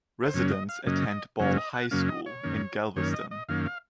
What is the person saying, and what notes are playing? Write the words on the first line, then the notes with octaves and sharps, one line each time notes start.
Residents attend Ball High School in Galveston.
C5
F#2 C#3 F#3 A#3 C#4 C#5
D#5
F5
F#2 C#3 F#3 A#3 C#4 D#5
F#2 C#3 F#3 A#3 C#4 C#5
D#5
F#5
F#2 C#3 F#3 A#3 C#4 F5
D#5
C#5
F#2 D#3 A#3 C#4
F#2 D#3 A#3 C#4 C#5
D#5
D#5
F#2 D#3 A#3 C#4 F5
F5